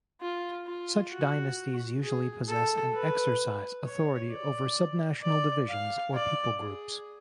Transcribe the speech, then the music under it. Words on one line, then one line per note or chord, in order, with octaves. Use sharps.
Such dynasties usually possess and exercise authority over subnational divisions or people groups.
F4
F4
F#4
G#4
A4
B4
C#5
D5
D5
F5
D5
G#4